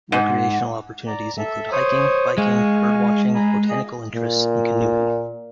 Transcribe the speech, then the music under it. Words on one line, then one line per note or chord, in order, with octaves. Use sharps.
Recreational opportunities include hiking, biking, bird watching, botanical interests, and canoeing.
G#2 F#5
D5 A#5
A4 E5
C5 C#5 D#6
G#3 F5 G#5 C#6
G#5 A#5 B5
G#4 D#5
A#2